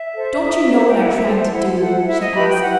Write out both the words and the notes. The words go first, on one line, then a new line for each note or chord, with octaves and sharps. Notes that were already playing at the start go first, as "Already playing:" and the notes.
"Don't you know what I'm trying to do?" she asked.
Already playing: E5
A4 C5
D#4
A4 C5
G5
E4 F#5
E5
A4 C5
E5
E4 F#5
A4 C5 F#5
E4 E5
D#5
G4 B4 B5
G5
E4 F#5